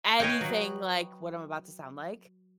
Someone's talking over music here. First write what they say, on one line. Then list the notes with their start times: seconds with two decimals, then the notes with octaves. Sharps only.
Anything like what I'm about to sound like.
0.20 B4 C#5 D#5 F5 G5 G#5
0.41 F#3